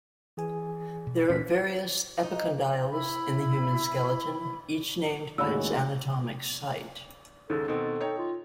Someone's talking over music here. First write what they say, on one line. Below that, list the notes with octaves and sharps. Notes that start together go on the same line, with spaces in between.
There are various epicondyles in the human skeleton, each named by its anatomic site.
E3 G#4 G#5
B2
D2 A#2 E3 C#4 B6
D#4
E4 B5
D#2 A2 C#3 G#3 F#4 B5 E6
D#2 G#2 C#3 A4
B2 D#3 C4 A4
D#4 C#5 G5
F4